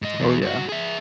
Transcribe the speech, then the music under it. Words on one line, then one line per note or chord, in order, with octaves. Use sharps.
Oh, yeah.
G#2 D#5
E2
G2 F#4
G#4 E5